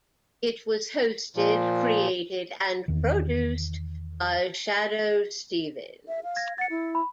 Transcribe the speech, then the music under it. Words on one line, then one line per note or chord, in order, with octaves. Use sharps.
It was hosted, created and produced by Shadoe Stevens.
A#2 F3
E2 D#3
E5
F5
G#6 A#6
F#5 A6 C#7
E4
B5